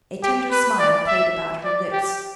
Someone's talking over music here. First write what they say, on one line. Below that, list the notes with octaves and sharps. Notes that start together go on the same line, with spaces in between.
A tender smile played about her lips.
G4
B4
D5
E5
D5
G4